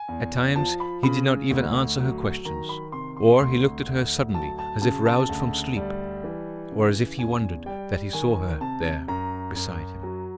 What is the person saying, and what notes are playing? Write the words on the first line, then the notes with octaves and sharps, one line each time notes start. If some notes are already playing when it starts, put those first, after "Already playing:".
At times he did not even answer her questions, or he looked at her suddenly as if roused from sleep, or as if he wondered that he saw her there beside him.
Already playing: G#5
E2
F3 A5
B5
C#3 B5
D2
F#3
D#3 A#5
B5
C3 C6
C6
D2 C6
D2
F#3 A5
A5
C#3 A5
A5
D2
G3
E3
C#3
E2 G#5
G3 G5
D#3 G#5
C3 A5
F#2 A#5
F#2
F#3